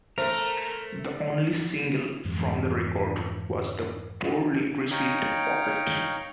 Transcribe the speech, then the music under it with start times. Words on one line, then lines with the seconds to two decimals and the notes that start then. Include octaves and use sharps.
The only single from the record was the poorly received "Pocket".
0.18 A3 A#4 C5
2.25 F2 G#2 E3 F3
4.91 D#4 C#5 F5 G5 A#5